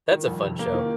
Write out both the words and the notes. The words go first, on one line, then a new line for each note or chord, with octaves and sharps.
that's a fun show.
D#3
F2
C3
A#3
D#3